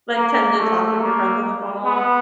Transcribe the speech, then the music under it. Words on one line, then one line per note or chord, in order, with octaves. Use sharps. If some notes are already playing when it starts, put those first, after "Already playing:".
like tend to talk with your friends on the phone a lot?
A#3
A3
A#3
B3